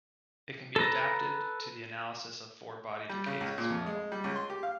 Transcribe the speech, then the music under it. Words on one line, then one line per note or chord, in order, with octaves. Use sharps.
It can be adapted to the analysis of four-body decays as well.
A4 B4 A#5
G3
C#3
C#2
A#2
F2
G#3
G3
C#2
C6
G4
F5